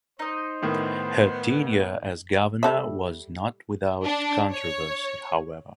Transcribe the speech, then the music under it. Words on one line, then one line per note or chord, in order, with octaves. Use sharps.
Her tenure as governor was not without controversy, however.
D#4 C5 D#5
A2 D#3 B3
G3 A4 E5
D4
C#5